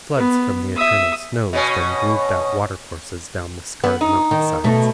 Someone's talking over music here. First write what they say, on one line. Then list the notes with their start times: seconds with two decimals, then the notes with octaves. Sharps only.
Floods from the eternal snows then grooved out watercourses down the scarred mountainsides.
0.17 B3
0.76 E5 D#6
1.53 B2 C#4
3.84 B3
4.01 D#4
4.31 D#3
4.64 B2 A3